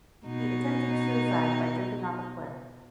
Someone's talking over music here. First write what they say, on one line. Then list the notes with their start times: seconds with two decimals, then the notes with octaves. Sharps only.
He attempted suicide by jumping off a cliff.
0.25 B2 D#4